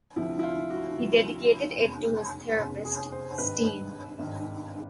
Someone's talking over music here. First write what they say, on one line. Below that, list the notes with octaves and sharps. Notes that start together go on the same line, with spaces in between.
He dedicated it to his therapist, Stein.
D2 C3 F3 E4
E4
F4
F#4
D2 C3 F3
F1 E2 C#3
F1 E2 C#3
G#4
C5
G#1 G2 D#3 B4
G#1 G2 D#3